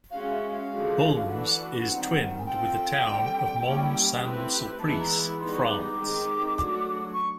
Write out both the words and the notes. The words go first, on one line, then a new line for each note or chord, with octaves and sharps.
Baulmes is twinned with the town of Mont-Saint-Sulpice, France.
G#3 C#4 F#4 F5
E5
F5
D3 F3 G#3 C#4 F#4
E3 A3 D4 F#4 B4 F#5
D#3 G3 C4
G#5
C4 F4 A4 G5
D3 G3 C4
G3 A#3 C#4 E4 G4
A3 C4 E4 G4 B4
E3 G#3 B3 E4 A5
A#5
B5
G3 B3 D#4 G#4 C6
C#6
D6
D6
D#3 G#3 C4 D#4 G4
F#3 A3 D4 F#4
C#6